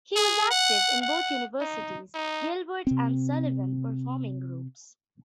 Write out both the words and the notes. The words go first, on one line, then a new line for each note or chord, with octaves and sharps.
He was active in both universities' Gilbert and Sullivan performing groups.
G#4
F#5
F#5
D#4
D#4
C3 C4